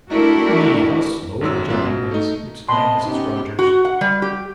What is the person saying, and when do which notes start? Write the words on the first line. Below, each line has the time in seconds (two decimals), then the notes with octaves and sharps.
'Dear me, how slow the gentleman is,'exclaimed Mrs. Rogers.
0.11 A3 D4 E4 F#4 G4 A#4
1.41 G#1 F#2 F#3 E6
1.68 A#1 F#2 B3 C#4 F4 E5
1.85 B2
2.11 A3 D#4
2.69 C3 B3 D#5 G5 A5 B5 C6
3.05 B3 C#4 D#4 G4
3.59 F#4
3.85 F#5
4.01 G3
4.22 G4